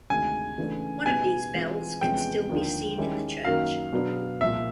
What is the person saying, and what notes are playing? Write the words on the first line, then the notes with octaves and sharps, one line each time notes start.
One of these bells can still be seen in the church.
D2 C3 D#3 G#3 G#5
C#3 E3 A3 D4
B2 G3 B3 D#4 G#4 G#5
E3 G#3 C4 F4
E2 C3 F3 G#3 C#4 G5
D#2 D3 F3 A#3 D4
D#3 G#3 C#4 E4 G4
F#2 D#3 F#3 A#3 F5
B2 F#3 B3 D4
C2 A#2 F3 E5